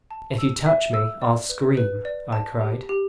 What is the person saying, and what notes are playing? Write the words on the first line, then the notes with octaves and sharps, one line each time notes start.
"If you touch me, I'll scream," I cried.
A5
E6
E5
E6
D5
B4
B4
D5
A5
G4
G4